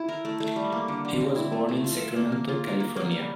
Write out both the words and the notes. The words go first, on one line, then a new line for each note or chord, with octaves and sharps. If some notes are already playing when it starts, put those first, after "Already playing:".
He was born in Sacramento, California.
Already playing: E4
A#4
A3
A3
G3
A#3
D3
D3
C4
E4
A3
A3
F4
A4
A#3
A#3
F4
A#4
A#3
A#3
G3